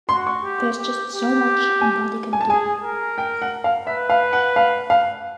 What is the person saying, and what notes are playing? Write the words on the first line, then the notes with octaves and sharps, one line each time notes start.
There's just so much a body can do.
F#4 C6
C#6
G4
G4
G4
G#5
G#5
A5
G#4 G#5
A#4
G5
F#5
F5
B4 E5
F5
F#5
F5
F5